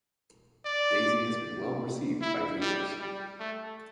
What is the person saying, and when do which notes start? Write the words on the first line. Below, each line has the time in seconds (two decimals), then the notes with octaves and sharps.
Daisy has been well received by viewers.
0.65 D5
2.22 E4
2.61 G3
3.00 G3
3.40 A3